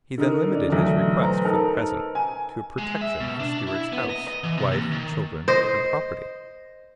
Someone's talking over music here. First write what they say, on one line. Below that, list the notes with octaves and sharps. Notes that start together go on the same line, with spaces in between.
He then limited his request, for the present, to a protection for Stewart's house, wife, children, and property.
D3 D#4 A#4
C#4 D5
B1 D3 E3 A3 D4
B4 C5 A#5
D#4 A4 A#4
G#5
G#3
E5
B2
D4
E4
B3
D#5
D#5
E3
C3
D#2
D#3
C5 D#5